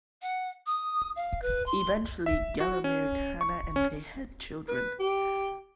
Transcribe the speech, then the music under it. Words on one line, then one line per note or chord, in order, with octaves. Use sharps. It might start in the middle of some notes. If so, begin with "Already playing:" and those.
Eventually, Geller married Hannah and they had children.
F#5
D#6
F5
B4
C6
E5
F#4
C#4
C#6
C#4
B4
G4